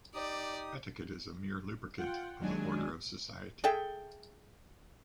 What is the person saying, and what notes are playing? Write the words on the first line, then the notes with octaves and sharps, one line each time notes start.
Etiquette is a mere lubricant of the order of society.
D#4 G4 D5 D#6
F4 F#5 G5
D#2 F#3 G#3 D4 G#5
G#4 A4 E5 G5